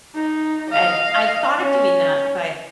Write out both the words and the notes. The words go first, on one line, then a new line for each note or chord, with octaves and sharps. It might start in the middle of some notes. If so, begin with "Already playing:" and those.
and I've thought of doing that, but,
D#4
D#5 F5
C#4